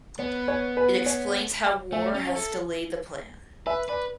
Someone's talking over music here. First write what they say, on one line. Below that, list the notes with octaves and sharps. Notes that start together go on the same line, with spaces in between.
It explains how war has delayed the plan.
B3 C#5
C#5
B4
C#5
A3 E5
C#4
A4
B4 E5
B4 D5